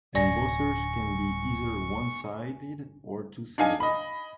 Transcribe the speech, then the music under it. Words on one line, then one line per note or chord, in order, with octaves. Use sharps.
Embossers can be either one-sided or two-sided.
D1 D5 G#5 C#6 A#6
D4 D#4 F5 G#5
D#5 B5